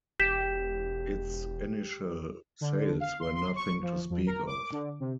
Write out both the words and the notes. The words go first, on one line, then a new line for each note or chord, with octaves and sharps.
Its initial sales were nothing to speak of.
E1 G4 G6 B6 E7
D3
F5
C6
C6
C#6
F3
F2
A#4
D6
D3
C3